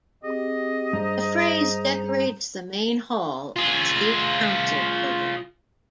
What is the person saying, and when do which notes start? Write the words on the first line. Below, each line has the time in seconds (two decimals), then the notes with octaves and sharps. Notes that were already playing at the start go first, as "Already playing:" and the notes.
The phrase decorates the main hall of State Council Building.
0.24 C4 G4 G#4 D#5
0.93 G2 G#4 C5 A#5
3.56 F4 G#4